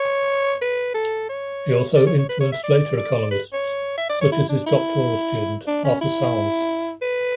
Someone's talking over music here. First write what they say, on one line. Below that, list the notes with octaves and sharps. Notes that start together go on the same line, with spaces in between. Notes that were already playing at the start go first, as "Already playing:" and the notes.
He also influenced later economists, such as his doctoral student Arthur Salz.
Already playing: C#5
B4
A4
C#5
D5
C#5
C#5
B4
C#5
E5
D5
D5
B4
C#5
E5
D5
C#5
E4
D4
E4
D4
C#4
E4
B4